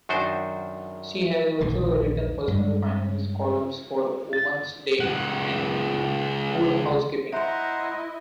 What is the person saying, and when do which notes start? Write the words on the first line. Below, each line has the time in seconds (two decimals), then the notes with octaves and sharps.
She has also written personal finance columns for "Woman's Day" and "Good Housekeeping".
0.09 F#2 D#3 D4 F#4 C5
1.61 A#1 D#2 D3 E3
2.48 G2 G#3
4.33 A6
5.00 C#2 F#5
7.33 E4 C5 D#5 E5 F#5 A#5 C6